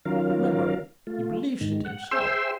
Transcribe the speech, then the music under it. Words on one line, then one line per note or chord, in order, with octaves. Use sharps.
Remember he believes it himself.
D#3 F#3 C#4 F4 A#4 F5
A3 F4
G#2 D#3
F#5
G#4 C5 E5 G5 C6 E6